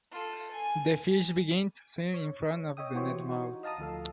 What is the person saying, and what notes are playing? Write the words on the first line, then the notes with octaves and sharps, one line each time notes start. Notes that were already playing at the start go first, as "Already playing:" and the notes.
The fish begin to swim in front of the net mouth.
F4 A4
G#5
C#5
C#5 D#5 E5 G5 D#6
E3 F#4 G4 C5 C#5
D#4 F#4
D#5 F5 A5 A#5 D#6
D2 F3 A4 F5